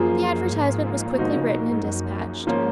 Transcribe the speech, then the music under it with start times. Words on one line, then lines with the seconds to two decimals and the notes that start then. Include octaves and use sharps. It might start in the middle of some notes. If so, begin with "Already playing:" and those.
The advertisement was quickly written and despatched.
Already playing: F#2 F3 A#3 F4 G#4
0.52 G#2
1.06 A#2
1.17 G#2 F3 A#3 D#4 F#4
1.37 C#3
1.48 B2
1.59 A#2
1.70 G#2
1.81 F#2
2.47 G#2 F3 A#3 C#4 F4